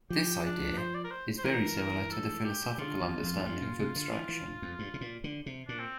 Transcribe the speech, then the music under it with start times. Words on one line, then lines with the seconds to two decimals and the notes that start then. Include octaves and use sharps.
This idea is very similar to the philosophical understanding of abstraction.
0.10 F3 G4
0.44 D4
0.78 C5
0.95 D5
1.04 A#4
1.11 C5
1.38 C5
1.44 E3 A#4
1.78 A#4
2.12 A4
2.45 G4
2.78 D3 F4
3.01 E2
3.23 F2
3.45 G2
3.62 A#2
3.79 C3
3.96 D3
4.12 E3
4.29 E3
4.62 F2
4.79 G2
4.94 C3
5.01 A#2
5.24 D3
5.46 C3
5.68 A#2 D4
5.79 C4